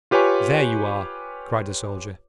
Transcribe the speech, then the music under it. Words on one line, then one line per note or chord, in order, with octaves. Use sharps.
There you are!' cried the Soldier.
F4 G4 B4 C#5 G#5 C#6